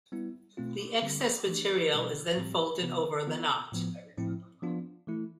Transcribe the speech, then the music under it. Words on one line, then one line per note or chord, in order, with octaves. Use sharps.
The excess material is then folded over the knot.
G3 B3 E4
B2 A3 C4 F4
D3 G3 C4 G4
E3 A3 D4
B2 G3 D4 G4
A2 G3 C4 G4
C3 E3 B3 F4
E3 B3 F4
A2 F3 B3
A2 F3 C4 E4
F3 B3 D4 F4
E3 A3 E4